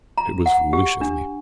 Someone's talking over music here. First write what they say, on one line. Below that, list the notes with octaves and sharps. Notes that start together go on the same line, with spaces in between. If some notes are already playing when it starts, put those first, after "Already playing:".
It was foolish of me.
A#5
F#5
G4
D4